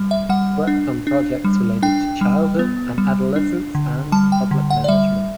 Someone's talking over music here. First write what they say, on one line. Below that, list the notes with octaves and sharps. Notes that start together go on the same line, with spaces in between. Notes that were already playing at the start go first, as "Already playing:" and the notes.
She worked on projects related to childhood and adolescence and public management.
Already playing: G3
E5
G3 F#5
D4
D4
G3
D4 G5
G3
B3
G3
D4
D3
G3 A5
G5
D3
F#5
D5
G3 E5